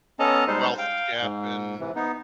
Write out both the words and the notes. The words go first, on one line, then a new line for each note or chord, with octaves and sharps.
a wealth gap in
B3 C#4 A4 D#5 A5 A#5
G3 G#3 D#4 C5
F5 G5
G#2
C3 E3
B3 D#4